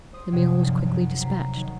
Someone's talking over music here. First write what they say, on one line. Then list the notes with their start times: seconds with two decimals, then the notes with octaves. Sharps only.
The meal was quickly dispatched.
0.13 C5 D#6
0.32 F#2 C3 F3 F#3 G#3
0.59 G1 D#2
0.86 F#2
1.19 C3 A#5 B6 C7
1.54 D#3 F#3